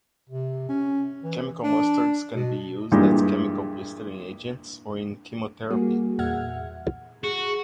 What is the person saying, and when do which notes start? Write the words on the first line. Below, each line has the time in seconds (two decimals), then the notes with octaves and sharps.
Chemical mustards can be used as chemical blistering agents or in chemotherapy.
0.29 C3
0.69 C#4
1.24 E3
1.63 D4
2.34 B2
2.92 G2 A#2 E3 G3 G#3
5.70 G3 A#3 F#4 G#4
6.18 E2 A#2 E5 F#5 F6 G#6
7.24 F#4 G#4